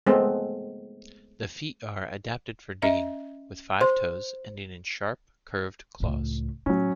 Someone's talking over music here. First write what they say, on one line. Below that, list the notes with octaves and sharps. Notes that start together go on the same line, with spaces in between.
The feet are adapted for digging, with five toes ending in sharp, curved claws.
G#3 A3 B3 C4
C#4 D#5 E5
C5 C6
C#2 A2
A2 F#3 C#4